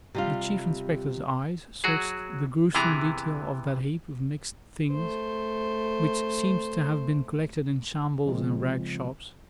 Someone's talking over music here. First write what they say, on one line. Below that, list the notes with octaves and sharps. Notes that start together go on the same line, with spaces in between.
The Chief Inspector's eyes searched the gruesome detail of that heap of mixed things, which seemed to have been collected in shambles and rag shops.
C3 G3 F4
F#3 F#4 G#4
C3 E3 B3 E4 G#4 A#5
A3 C5
C#3 F3 G#3 C4 F4